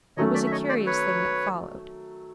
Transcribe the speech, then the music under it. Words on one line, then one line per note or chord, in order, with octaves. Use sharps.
It was a curious thing that followed.
D#3 F#3 A3 C#4 C#5 D#5
D5 E5
E5
C#5 D#5
C5 D5
B4 C#5